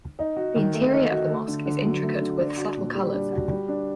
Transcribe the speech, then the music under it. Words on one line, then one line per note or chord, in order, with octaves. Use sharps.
The interior of the mosque is intricate with subtle colors.
D#4
F#4
D#3
A3
D#4
F#4
A3
D3
D3
F#3
A3
D3
D4
F#4
A#2
G3
D4
F#4
G3
D4